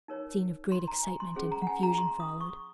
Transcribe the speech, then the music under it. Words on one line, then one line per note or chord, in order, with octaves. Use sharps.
A scene of great excitement and confusion followed.
D#4 A#4 C#5
C6
A#5
G#5
C6
C#4 G#4 C5 C6
A#5
F#5
G#5
A#5
C6
D#6
C#6